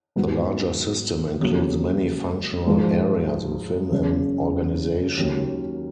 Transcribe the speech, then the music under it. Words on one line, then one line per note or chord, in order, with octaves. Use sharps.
The larger system includes many functional areas within an organization.
G#1 G#2 F#3 B3
F1 D#2 C#3 F#3 A#3
G#1 G#2 F3 G#3
F#1 F#2 C#3
D#2 D#3 F#3 A#3 C#4